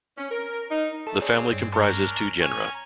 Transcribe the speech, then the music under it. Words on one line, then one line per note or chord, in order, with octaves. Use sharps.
The family comprises two genera.
C#4
A#4
D#4
A3 A4 A5
G#3 C4 G#4 C#5 D5
G2
C#4 D4 A#4
A#5
C#4 G#5